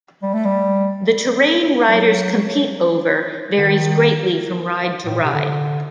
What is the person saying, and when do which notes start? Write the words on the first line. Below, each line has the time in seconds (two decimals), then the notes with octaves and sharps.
The terrain riders compete over varies greatly from ride to ride.
0.22 G3
0.34 A3
0.45 G3
1.89 G3
1.93 F#3
3.58 D3
3.63 D#3
5.06 A2
5.15 A#2
5.24 C3
5.34 D3